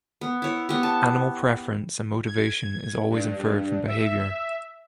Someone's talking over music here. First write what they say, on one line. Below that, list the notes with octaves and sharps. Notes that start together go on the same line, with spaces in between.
Animal preference and motivation is always inferred from behavior.
B3
E4 C#5
B3 G4
A5
G#6
G2
E5